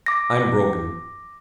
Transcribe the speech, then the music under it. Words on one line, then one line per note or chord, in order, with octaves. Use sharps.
I'm broken.
D6 A#6